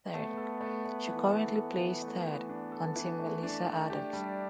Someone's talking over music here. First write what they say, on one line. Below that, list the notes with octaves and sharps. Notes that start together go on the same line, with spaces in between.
She currently plays third on Team Melissa Adams.
A3 B3
A4
A3
A3
E3
A4
A4
E3
A3
E3
D4
A4
E3
A3
D4
A3
D4 G4
G3